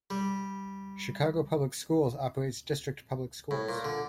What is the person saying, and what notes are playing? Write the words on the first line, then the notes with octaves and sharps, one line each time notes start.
Chicago Public Schools operates district public schools.
G3
A2
A#2
D3